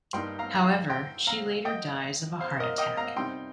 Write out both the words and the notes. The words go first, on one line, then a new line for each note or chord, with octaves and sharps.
However, she later dies of a heart attack.
G2 G3 A#3 D#4 G5 C6
F5 A#5
F5 A#5
G5 C6
F5 A#5
D#5 G5
C5 F5
A#4 D#5
D#5 G5
F5 A#5
C3 G3 D#4 G5 C6